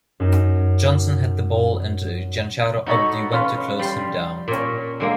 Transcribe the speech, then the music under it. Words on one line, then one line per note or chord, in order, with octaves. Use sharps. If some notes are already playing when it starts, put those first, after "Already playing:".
Johnson had the ball and Giancarlo Oddi went to close him down.
F#2 D#4 E7
D#4 F#4 A4 C#5 D#5 B5
C#4 F4 B4
G3 C6
A#2 C#4
D3 G#3 A#3